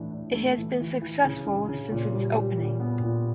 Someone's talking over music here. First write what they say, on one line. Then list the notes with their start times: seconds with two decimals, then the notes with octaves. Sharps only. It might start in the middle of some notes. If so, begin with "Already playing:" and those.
It has been successful since its opening.
Already playing: A2 E3 A3 D4
0.13 D4
0.35 A3
0.58 E3
0.81 E3
1.02 E3
1.24 C#3
1.46 C#3
1.69 C#3
1.91 A#2
2.13 G3
2.36 G3
2.57 A#2
2.80 B3
3.02 A#2